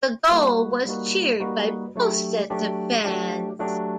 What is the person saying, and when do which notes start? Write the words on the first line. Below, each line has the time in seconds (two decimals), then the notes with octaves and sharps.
The goal was cheered by both sets of fans.
0.31 G3 A#3 D#4 F#4 B4
0.86 G3 A#3 D#4 F#4 B4
1.40 G3 A#3 D#4 F#4 B4
1.95 F#3 A3 D4 G4
2.50 F#3 A3 D4 G4
3.05 F#3 A3 D4 G4
3.59 F#3 A3 D4 G4